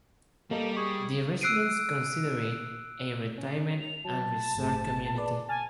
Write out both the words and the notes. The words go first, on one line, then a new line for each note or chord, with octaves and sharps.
The residents consider it a retirement and resort community.
G3 A#3 A4 D#5
G#4 C#6
E6 F#6 C7 D7 D#7
C#4
F7
F#3 A5
G1 A2 G#4
G#4 B4 D5
G#5 A5 F6 A6